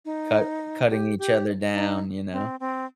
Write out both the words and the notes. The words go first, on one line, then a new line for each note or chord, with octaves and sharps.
cut cutting each other down, you know?
D#4
G4
G4
D#4
C4
C4